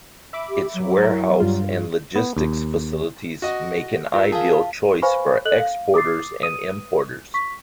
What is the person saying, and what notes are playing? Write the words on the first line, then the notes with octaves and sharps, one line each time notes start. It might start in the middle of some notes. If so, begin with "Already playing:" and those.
Its warehouse and logistics facilities make an ideal choice for exporters and importers.
E5 B5 D6
G4
F#3
E4 A#4
G2 G3 F4
B3
D#2
F#4 D#5
F4 A#4
G#4 F5 A5
B4 C5 F5 G#5 B5 C#6
A4 D#5 F#6 F#7
F5
D6 D#6 A6 C7
B4 D#6 D#7
C#6 B6